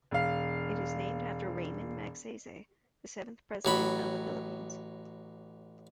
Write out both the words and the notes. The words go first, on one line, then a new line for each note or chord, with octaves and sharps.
It is named after Ramon Magsaysay, the seventh President of the Philippines.
E1 F5
A1 F#3 B5